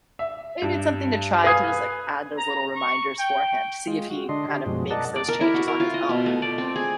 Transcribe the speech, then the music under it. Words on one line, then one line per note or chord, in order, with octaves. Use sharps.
maybe it's something to try to just add those little reminders for him to see if he kind of makes those changes on his own.
E5
G2
B4 F5 G#5 D#6 G#6
A#5
C#6
G5
G#3 F4
F#4
D3 D4 D#5 C6
D4 G4
F#2 B2 F3 G#3
A#4 D5 D#5 F#5 A5
D5
A#4
E4
F#4
A#4
F4
D#5
B2
A3
D5
C4
G#4